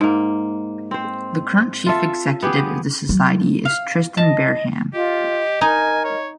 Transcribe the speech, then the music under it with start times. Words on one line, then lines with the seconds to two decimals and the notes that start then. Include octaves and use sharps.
The current chief executive of the society is Tristan Bareham.
0.01 G#2 A#3
0.91 C4 C5
1.86 F4 A4 E5
2.43 B3 G4 G#4
3.09 F#3
3.65 F5
4.17 D#5 A5
4.94 F4 G4 D#5
5.61 D#4 A#4 G#5
6.05 C#5